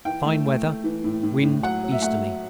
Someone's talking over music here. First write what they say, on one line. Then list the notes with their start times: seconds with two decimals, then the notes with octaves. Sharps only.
Fine weather: wind easterly.
0.05 E3 G5
0.25 A3
0.45 A3
0.65 A3
0.84 E3
1.04 A2
1.23 A2
1.43 A2
1.63 F#3 F#5
1.83 F#3
1.92 E5
2.02 A3 F#5
2.22 F#3